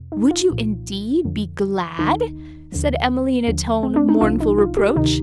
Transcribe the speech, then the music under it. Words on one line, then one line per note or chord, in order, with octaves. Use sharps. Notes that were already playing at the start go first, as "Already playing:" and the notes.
'Would you, indeed, be glad?' said Emily, in a tone of mournful reproach.
Already playing: F2 C3
D#4
F4
C2 A#2 F3
F2 D3 F3
D#2 D#3 D#4
D#2 D3 F3
D#2 D3 F3
C4
D4
D#4
C2 C3 F3 F4
D#4
F4
G4
D2 C3 D#3 D#4